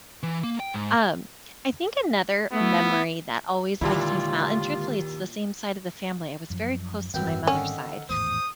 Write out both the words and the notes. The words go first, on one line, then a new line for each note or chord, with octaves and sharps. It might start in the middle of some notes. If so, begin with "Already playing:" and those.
Um, I think another memory that always makes me smil and truthfully, it's the same side of the family, I was very close to my mother's side,
E3
A#3
G5
G#2
A3 B3 E4
D#2 A#2 D3 G#3 E4 F4 G4
F#2 F3
G#1 F#2 E3 G3 C4 G5
D3 D#3 C#4
G#1 E2 A2 C5 D#6